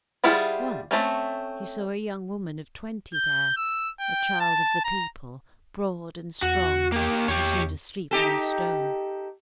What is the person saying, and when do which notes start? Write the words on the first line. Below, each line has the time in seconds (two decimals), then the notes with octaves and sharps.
Once he saw a young woman of twenty there, a child of the people, broad and strong, who seemed asleep on the stone.
0.24 G3 E4 F4 G#4 F#5
0.91 A3 C4 C#4
3.14 G6
3.57 E6
4.00 G5
4.40 A5
4.84 A#5
6.42 E2 F#4
6.92 A#3 G4
7.28 E2 G4 C#5
8.11 D#4 G4 A4